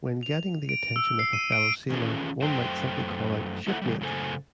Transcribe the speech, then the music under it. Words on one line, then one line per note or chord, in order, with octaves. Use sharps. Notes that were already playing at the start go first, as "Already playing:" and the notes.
When getting the attention of a fellow sailor, one might simply call out Shipmate!
F7
D7
E6
C7
D#7
D7
D#3 E3 C#4 F4 G#4 A4
F#2 A3 C5 G5
A3 E4 A4 E5 F#5
C#3 E3 G3
F#2 A2 C#3 A4 C5 G#5